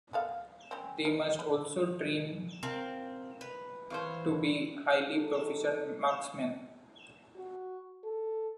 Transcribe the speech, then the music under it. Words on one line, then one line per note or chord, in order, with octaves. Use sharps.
They must also train to be highly proficient marksmen.
B3 A4 F5
C4 C#4
A#4
B4
C4 A#4 F5
B4
E3 C5 C#5 F5
D#4 G4 A4
F#4
A4